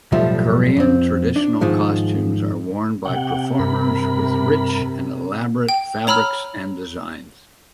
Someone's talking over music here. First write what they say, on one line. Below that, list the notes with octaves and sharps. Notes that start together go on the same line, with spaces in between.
Korean traditional costumes are worn by performers, with rich and elaborate fabrics and designs.
B1 E2 A2 F3 G3 E5
F2 C4
D4
G#2 D#3 F3 G#3
C3 F#5 G5
G2 A#4 B5
G5
C#5 A#5 B5 E6 F6